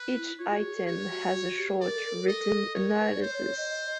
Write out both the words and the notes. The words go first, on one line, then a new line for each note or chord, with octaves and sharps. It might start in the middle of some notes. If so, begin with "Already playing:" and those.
Each item has a short written analysis.
Already playing: B4
E4
F4 C#5
F#4
G#4
A4
G4 C#5
F#4
F#4
G4
A4 D5
A#4
A4
A#4
A4
A#4
A4 D#5
A#4 C#5
B4
D5
C5 C#5
C#5
C#5
D#5
D#5